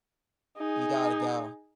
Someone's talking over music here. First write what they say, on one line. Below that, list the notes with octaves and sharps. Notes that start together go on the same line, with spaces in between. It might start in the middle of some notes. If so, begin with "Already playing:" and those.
You gotta go.
D#4 G#4